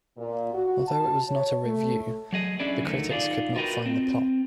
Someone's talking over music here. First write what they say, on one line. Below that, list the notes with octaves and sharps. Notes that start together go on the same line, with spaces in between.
Although it was not a revue, the critics could not find the plot.
A#2
F#4
A5
C#5
A3
F#3 G#4 D#5
C#4 D4 E4 G#4 D5
D2 D3 D#3 A3
D#4 F4 G#4 C5 D5
F4 F#4 A#4 B4 D#5 G5
C4